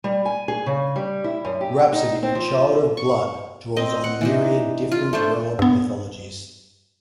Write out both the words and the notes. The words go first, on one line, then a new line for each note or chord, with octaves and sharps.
"Rhapsody: Child of Blood" draws on myriad different world mythologies.
G3
G#5
G#4
C#3
G3
E4
F#2
G4
D#4
C4
F3
C#6
C4 D#5
F#5
E3 D4 D#4
F4
A3 D4 C5
G2 B3